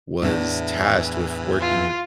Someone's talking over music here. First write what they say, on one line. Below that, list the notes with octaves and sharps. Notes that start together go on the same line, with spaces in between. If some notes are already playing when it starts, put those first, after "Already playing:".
was tasked with working
E2 A2 E3 D4
F4